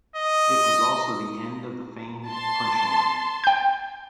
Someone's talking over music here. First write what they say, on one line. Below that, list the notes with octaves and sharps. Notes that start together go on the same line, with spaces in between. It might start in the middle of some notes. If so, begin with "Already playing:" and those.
It was also the end of the famed "Punch Line".
D#5
A5 C6
G5 G6